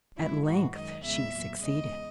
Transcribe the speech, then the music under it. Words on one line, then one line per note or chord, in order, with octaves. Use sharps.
At length she succeeded.
F#2 C#3 G#3 E4
G#2 E3 G#3 F#4
F#2 D#3 G#3 D#5
E2 C#3 G#3 E5
A#2 F#3
E2 C#3 G#3 D#5